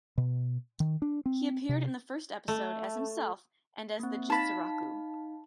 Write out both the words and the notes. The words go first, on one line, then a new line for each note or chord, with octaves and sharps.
He appeared in the first episode, as himself and as the Jitsuroku!
B2
D#3
D4
C4
C3
A3
A#3 C4
D#4 F5 A5 B5